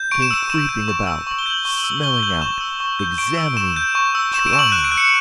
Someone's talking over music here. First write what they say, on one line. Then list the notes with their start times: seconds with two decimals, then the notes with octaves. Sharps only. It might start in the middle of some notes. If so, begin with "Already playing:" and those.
He came creeping about, smelling out, examining, trying!
Already playing: G6
0.11 C#6 D7
0.22 E7
0.31 E6 D7
0.50 C#6 E7
0.69 G6
0.88 C#6
1.07 E6
1.27 C#6 F#7
1.39 G7
1.46 G6 F#7
1.65 C#6 G7
1.78 F#7
1.84 E6
1.91 F#7
2.03 C#6 G7
2.23 G6 F#7
2.42 C#6 E7
2.61 E6
2.80 C#6
2.99 G6
3.18 C#6 D7
3.37 E6
3.57 C#6 E7
3.76 G6
3.95 C#6
4.15 E6
4.34 C#6 E7
4.47 D7
4.53 C#6 E7
4.59 F#7
4.72 F#6 E7
4.84 D7
4.92 F#6
4.98 C#7